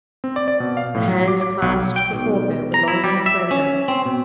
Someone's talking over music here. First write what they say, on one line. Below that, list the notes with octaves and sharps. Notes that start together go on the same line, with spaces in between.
The hands clasped before her were long and slender.
C4
D5
D5
B2
F5
A2
F#3
D6
D6
B1
G5
B1
A#5
E4
G3
E5
C#4
C4
B2